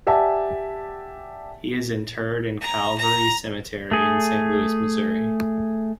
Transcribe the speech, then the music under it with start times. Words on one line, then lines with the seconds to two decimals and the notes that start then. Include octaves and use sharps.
He is interred in Calvary Cemetery in Saint Louis, Missouri.
0.07 G4 D5 E5 F#5 G#5 A5
2.60 A#5
2.97 A#5
3.91 A3 G#4